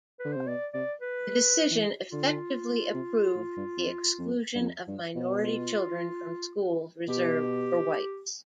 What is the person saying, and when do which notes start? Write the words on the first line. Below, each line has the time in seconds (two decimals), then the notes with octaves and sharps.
The decision effectively approved the exclusion of minority children from schools reserved for whites.
0.20 B4
0.25 D3
0.33 C3 C5
0.47 B2 D5
0.74 C3 D5
1.01 B4
1.71 E3
2.12 D3 F4
2.94 C3
3.36 A2
3.57 G2
3.77 F2
4.19 F2
4.55 G2
4.60 F2
4.88 G2
5.16 B2
5.43 F4
7.08 B2 G4